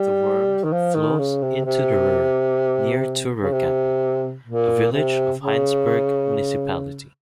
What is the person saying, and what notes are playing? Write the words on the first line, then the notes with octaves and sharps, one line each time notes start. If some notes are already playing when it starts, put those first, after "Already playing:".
The Wurm flows into the Rur near to Rurkempen, a village of Heinsberg municipality.
Already playing: G3
D#3
F3
D#3
C#3
C3
C3
C#3
C3
A#2
C3
C#3